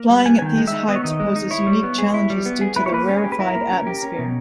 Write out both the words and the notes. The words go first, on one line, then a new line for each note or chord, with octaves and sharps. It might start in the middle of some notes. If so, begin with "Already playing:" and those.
Flying at these heights poses unique challenges due to the rarefied atmosphere.
Already playing: A#3
G3
B3 G#5
G#5
D#3 G5
G#3
E5
D#4
B3 D#5
C#5
D#3 D#5
G#3
D#4
E4 C#5
G3
B3
G#4
E4
G3
B3
G#4
E4 B4
C#5
A#3 B4
C#4 G#4
G4
B4
E4 A#4
A#3
C#4
G4
C#4
B2